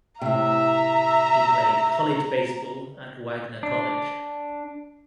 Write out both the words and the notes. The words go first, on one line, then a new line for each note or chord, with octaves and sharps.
He played college baseball at Wagner College.
A2 C3 E5 A#5
D4